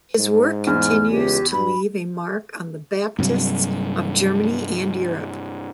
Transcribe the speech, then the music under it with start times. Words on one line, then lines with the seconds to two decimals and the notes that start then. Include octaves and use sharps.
His work continues to leave a mark on the Baptists of Germany and Europe.
0.19 G#2
0.67 E2 F6
1.11 C#2 G4
1.52 G2 B5
3.19 G2 C3 F#3